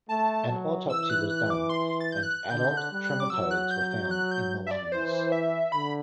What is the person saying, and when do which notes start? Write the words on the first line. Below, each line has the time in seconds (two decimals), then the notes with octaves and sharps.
An autopsy was done and adult trematodes were found in the lungs.
0.08 A3 A5
0.48 F#3
0.90 E3 E6
1.10 F#6
1.30 F#6
1.50 D6
1.69 C6
2.01 A6
2.12 G6
2.23 F#6
2.50 D3 G6
2.77 F#6
2.91 G3
3.04 F#6
3.20 D6
3.30 F#3 E6
3.51 F#6
3.71 G6
3.91 G6
4.11 F#6
4.31 G6
4.67 E5
4.71 D5
4.92 E3 C5
5.32 E5
5.72 D3 B5